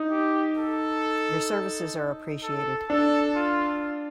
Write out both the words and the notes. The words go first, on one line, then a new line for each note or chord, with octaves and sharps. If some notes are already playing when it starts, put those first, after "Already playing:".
Your services are appreciated.
Already playing: D#4
G4
A4
A4
D4 A4
F4